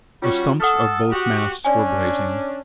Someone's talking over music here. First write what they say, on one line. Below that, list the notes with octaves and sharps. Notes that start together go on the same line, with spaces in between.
The stumps of both masts were blazing.
G3 C#4 F4 F#4
A4 F#5 D#6 F6
F#4 G4
C#4 D4 D5 G#5